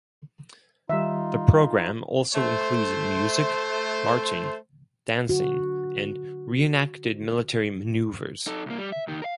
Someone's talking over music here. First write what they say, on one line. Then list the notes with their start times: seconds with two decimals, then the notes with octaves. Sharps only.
The program also includes music, marching, dancing and re-enacted military maneuvers.
0.90 D#3 G3 D#4 F4 E5
2.35 A3 C5
5.29 D3 F#4
8.47 D#4 A4
8.66 C2 A#3
8.78 G3
8.92 E5
9.07 D#2 D#3
9.22 A#4 F5